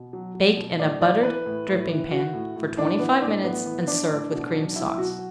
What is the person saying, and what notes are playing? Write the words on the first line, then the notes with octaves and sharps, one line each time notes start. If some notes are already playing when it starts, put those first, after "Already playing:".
Bake in a buttered dripping-pan for twenty-five minutes and serve with Cream Sauce.
Already playing: B2
F#3
F#3
B2
A2 D5
E3 D5
E3 B4
A2
A2
E3
E3 F#4
A2
A2
E3 D4
E3 B3
A2 D4
A2 B3
E3
E3 D4
A2
B2
F#3
F#3 E4
E4
B2 F#4